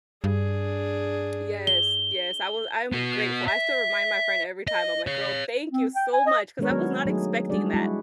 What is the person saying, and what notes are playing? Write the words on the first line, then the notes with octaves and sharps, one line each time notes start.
Yes, yes, I wa I'm grateful, I still remind my friend every time. I'm like, "Girl, thank you so much," 'cause I was not expecting that.
G2 D4 G#4
G7
B3 F#4
E5
D#5
C#5 F5
C4
G5
G#5
D#5
D#3 G#3 B3 D4 A#4 C#5
F#3 B3 F#4 C#5
F#3 A3 D#4 G#4
G3 G#3 D4 F#4 G#4 D5
G#3 E4 F#4